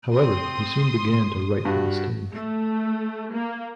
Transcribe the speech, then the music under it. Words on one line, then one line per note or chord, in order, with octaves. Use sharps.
However, he soon began to write for the stage.
C4 C6 D#6
G2 F#4
A3
A#3